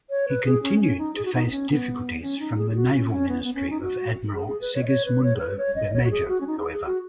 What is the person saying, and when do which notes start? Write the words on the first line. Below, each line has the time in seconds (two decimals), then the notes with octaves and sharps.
He continued to face difficulties from the naval ministry of Admiral Segismundo Bermejo, however.
0.10 C#5
0.28 B4
0.45 G#4
0.63 C#4
0.80 C#4
0.98 D#4
1.16 G#4
1.25 F#4
1.34 D#4
1.46 B3
1.51 C#4
1.70 B3
2.22 C#4
2.40 D#4
2.58 G#4
2.71 G#4
2.75 F#4
2.93 C#4
3.11 C#4
3.29 B3
3.44 B3
3.54 C#4
3.70 D#4
3.81 F#4
4.34 G#4
4.48 G#4
4.61 B4
4.75 C#5
4.83 D#5
4.87 C#5
5.05 B4
5.23 C#5
5.36 G#4
5.40 B4
5.58 C#5
5.75 D#5
5.94 C#5
6.04 F#4
6.11 G#4
6.28 F#4
6.41 C#4
6.47 D#4
6.59 G#4
6.73 G#4
6.86 F#4